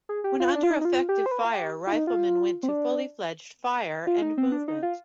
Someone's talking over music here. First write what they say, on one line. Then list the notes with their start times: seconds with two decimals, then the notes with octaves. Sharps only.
When under effective fire, riflemen went to fully fledged "fire and movement".
0.09 G#4
0.24 G4
0.40 F4
0.55 D4
0.63 F4
0.70 D#4
0.81 D#4
0.85 F4
1.09 G4
1.26 C5
1.31 B4
1.44 F4
1.54 G4
1.87 F4
1.92 D#4
2.07 F4
2.63 C4
2.69 D4
4.07 F4
4.22 D#4
4.37 C4
4.52 D4
4.68 D#4
4.83 F4